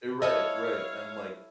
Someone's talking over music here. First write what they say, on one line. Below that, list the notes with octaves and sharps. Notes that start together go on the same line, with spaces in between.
Eh, right, right, and like
E4 A4 C#5 D#5 F5